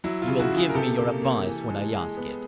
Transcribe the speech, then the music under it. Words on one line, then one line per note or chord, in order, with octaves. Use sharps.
You will give me your advice when I ask it.
F#3 E4
F4
C#3
E4 F#4
C#3
F#4 G#4
A#4
C3 G4 A4
A#3
A#3
E3
G#3
G#3
B3